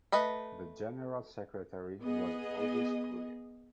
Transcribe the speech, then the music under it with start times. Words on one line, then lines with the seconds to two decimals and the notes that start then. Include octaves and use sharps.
The general secretary was Moses Guria.
0.12 A3 B4 D#5 B5
2.03 B3 G#4 D#5